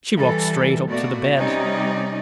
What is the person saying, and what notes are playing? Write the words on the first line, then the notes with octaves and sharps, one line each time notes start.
She walked straight up to the bed.
E3 G3 A4
B2 A3 A#3 F#4 D5
C3 G3 C#4 D#4 D5